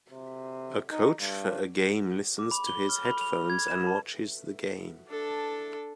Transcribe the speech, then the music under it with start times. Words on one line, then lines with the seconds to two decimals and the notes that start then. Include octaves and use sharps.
A coach for a game listens to his headphones and watches the game.
0.11 C3
0.91 D#4
1.21 G2
2.39 D6
2.51 B5
2.67 G7
2.89 F6
3.05 B5
3.21 F7
3.50 G#6
3.68 E7
3.87 A5
5.08 D4 A4